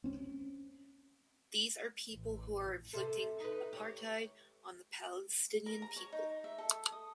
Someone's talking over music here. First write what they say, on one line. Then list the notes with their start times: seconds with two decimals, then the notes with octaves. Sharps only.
These are people who are inflicting apartheid on the Palestinian people.
0.04 C4 C#4
2.13 A1
2.93 C3 A4
3.40 D#4 B4
3.73 G4 C#5
5.66 A#4
5.82 A#5
5.96 C#5
6.12 D#4
6.44 E5
6.58 A4
6.92 D#6